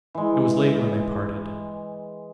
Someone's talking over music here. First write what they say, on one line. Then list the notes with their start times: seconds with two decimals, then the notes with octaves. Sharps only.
It was late when they parted.
0.14 E3 G#3